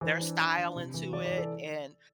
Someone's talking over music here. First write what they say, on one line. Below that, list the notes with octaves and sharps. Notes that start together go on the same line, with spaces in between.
their style into it, and,
E3 C5
D4
D4
E3
C3
E3
E3 D5
D5
E3
A4